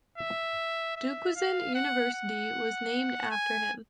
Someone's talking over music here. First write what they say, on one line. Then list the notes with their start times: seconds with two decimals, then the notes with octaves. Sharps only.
Duquesne University was named after him.
0.18 E5
0.97 E5
1.36 F5
1.75 F#5
2.14 F#5
3.31 G#5